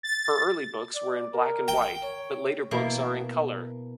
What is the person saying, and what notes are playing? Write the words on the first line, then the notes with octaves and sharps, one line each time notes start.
Her early books were in black-and-white, but later books are in color.
A6
D5
A#4
G5
C#5
B2 A#3 E4